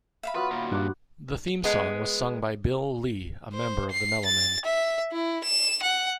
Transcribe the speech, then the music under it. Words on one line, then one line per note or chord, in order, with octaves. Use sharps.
The theme song was sung by Bill Lee, a member of the Mellomen.
E5 F5 B5
F#3 B3 F4 B4
A#2 D#3
G2 F#5 D6
G#3 B3
C5
C7
A6
E5
E4
E7
F#5